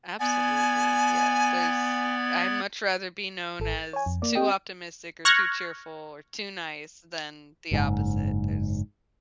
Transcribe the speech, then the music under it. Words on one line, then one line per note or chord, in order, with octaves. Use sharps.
Absolutely, yeah, there's I'd much rather be known as too optimistic or too cheerful or too nice than the opposite. There's
B3 D5 G#5 G#6
G#1 A4
A6
C#5 G#5
F2
A#3 D5
C4 G4 D#5 G5
C#6 F6 F#6 G#6 A#6
F#1 G#2